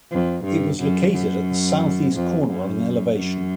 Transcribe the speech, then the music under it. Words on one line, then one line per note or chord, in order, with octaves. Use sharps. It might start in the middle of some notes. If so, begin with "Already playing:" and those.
It was located at the southeast corner on an elevation.
F2
G2
F#2
F#2
F2
F#2
F#2